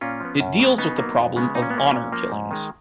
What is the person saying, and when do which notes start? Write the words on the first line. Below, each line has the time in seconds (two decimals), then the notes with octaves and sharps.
It deals with the problem of honour killings.
0.01 A#2 C#4 F4
0.20 F3 B3
0.40 F#2
0.59 C#3 G#3 B3
0.78 C#3 B3 D#4
0.98 F#3 A#3
1.17 F2
1.36 C#3 G#3 B3
1.55 A#2 D#4
1.62 C#4
1.70 B3
1.74 F3 A#3 C#4
1.93 A#2
2.12 F3 A#3
2.32 G#2
2.51 D#3 G#3